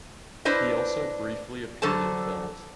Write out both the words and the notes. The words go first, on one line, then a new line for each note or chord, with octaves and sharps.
He also briefly appeared in films.
D4 E4 B4 C5 D#5
D3 F#3 A4 C5 A5